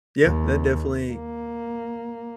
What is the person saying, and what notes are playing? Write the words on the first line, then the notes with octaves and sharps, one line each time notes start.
Yeah. That definitely
D#2
A#3